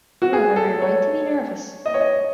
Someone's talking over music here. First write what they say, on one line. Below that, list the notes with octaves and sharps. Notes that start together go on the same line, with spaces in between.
You have every right to be nervous.
F#4
G#4
A4
C#5
D#5
C#5
D#5